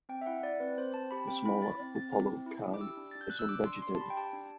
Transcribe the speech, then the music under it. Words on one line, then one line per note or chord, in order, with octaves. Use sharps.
The smaller Upolu Cay is un-vegetated.
C4 G5
E5
E4 F#5
E4 D5
C4 B4
C4 C5
C4 A5
G4 B5
C4 G5
E4 B5
E4 A6
C4 A6
C4 A6
C4
E4
E4
E4
D6
G4 E6
D4
D4 A6
G6
D4 F#6
E6
D4 D6
D4 C6
D4 C6
A5
G4 B5
G5
G4 A5
D4